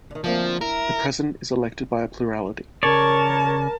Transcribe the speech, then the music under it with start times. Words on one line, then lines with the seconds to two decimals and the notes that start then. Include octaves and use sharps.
The President is elected by a plurality.
0.11 D3 D#3
0.24 D2 F3 A#3 C4
0.61 E4 A#4
2.83 C#3 A#4 C#5 D5 A5